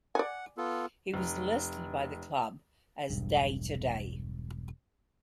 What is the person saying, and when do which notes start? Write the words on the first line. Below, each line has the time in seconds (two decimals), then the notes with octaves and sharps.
He was listed by the club as day-to-day.
0.15 D5 F#5 G#5
0.57 B3 F4 A4
1.14 F1
3.10 E1 B1 G2